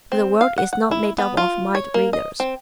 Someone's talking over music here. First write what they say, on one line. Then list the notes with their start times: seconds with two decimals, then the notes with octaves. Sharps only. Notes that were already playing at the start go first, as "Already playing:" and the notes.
But the world is not made up of mind readers.
0.12 C4
0.41 F5
0.58 F#5
0.73 F#5
0.91 E4
1.18 B3
1.37 F4
1.75 C#5
1.94 A#3
2.13 D#5
2.40 C4